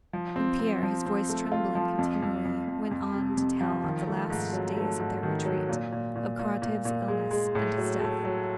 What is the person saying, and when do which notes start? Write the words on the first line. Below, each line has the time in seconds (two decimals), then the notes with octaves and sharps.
And Pierre, his voice trembling continually, went on to tell of the last days of their retreat, of Karataev's illness and his death.
0.13 F3
0.36 C4
0.59 C4
0.83 F3
1.06 C4
1.29 A3
1.52 F4
1.75 F3
1.98 F2
2.22 F2
2.45 F2
2.68 F2
2.91 F2
3.15 C3
3.37 F2
3.61 F3
3.84 D#3
4.07 A3
4.30 G#2
4.53 F#3
4.77 A3
5.00 G#2
5.23 D#3
5.45 F#3
5.69 A#2
5.92 A#2
6.16 A#2
6.39 A#2
6.62 A#2
6.85 A#2
7.08 G#3
7.31 G#3
7.55 A2
7.78 F#3
8.00 A3
8.24 F#3